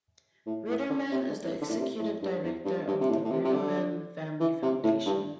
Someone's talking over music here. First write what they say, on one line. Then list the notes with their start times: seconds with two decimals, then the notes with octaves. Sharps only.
Ruderman is the executive director of the Ruderman Family Foundation.
0.47 A2
0.68 A2
0.90 D3
1.12 C3
1.29 D3
1.45 E3
1.61 D3
1.69 A2
1.78 C3
1.99 A2
2.22 G2
2.43 E2
2.64 G2
2.88 G2
3.01 C3
3.09 A2
3.24 A2
3.31 C3
3.44 C3
3.53 D3
4.40 E3
4.62 C3
4.83 A2
5.06 G2